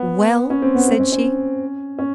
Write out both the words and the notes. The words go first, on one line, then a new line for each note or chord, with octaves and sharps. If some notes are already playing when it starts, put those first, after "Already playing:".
"Well?" said she.
Already playing: B3
C#4
C4
B3
C4
C#4
C#4
C#4